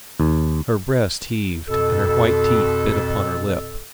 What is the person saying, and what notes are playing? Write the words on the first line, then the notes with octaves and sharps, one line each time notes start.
Her breast heaved and her white teeth bit upon her lip.
D#2
F2 B2 A4